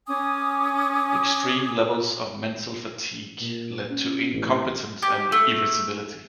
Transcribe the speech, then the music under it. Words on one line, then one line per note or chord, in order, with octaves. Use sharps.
Extreme levels of mental fatigue lead to incompetence and irritability.
C#4 G#5 D6 D#6
A#2
C#4
A1
G4
A3